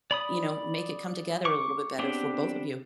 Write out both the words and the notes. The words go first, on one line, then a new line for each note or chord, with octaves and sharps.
you know, make it come together a little bit better for both of you.
D5 B5 D#6
C#6 D6
B3 C4 D4 G4